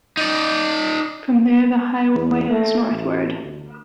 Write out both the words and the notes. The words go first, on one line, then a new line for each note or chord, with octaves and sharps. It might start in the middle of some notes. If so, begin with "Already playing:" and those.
From there the highway heads northward.
D#4 D5
E2
A3
A1
D2